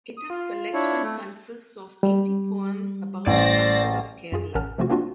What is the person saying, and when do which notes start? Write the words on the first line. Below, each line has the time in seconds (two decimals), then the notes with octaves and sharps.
It is collection consists of eighty poems about the culture of Kerala.
0.17 D#6
0.30 F4
0.74 D4 E4 C#5
1.03 A3
2.03 G3
3.27 A1 C5 D5 A6 A#6
4.32 F#2 F4 G#4
4.55 A1 C#4 A#4 F#5 A5 F6
4.78 C3 F3 A3 C4 F4 F#4
4.90 A#3 C4 D4 F4 F#4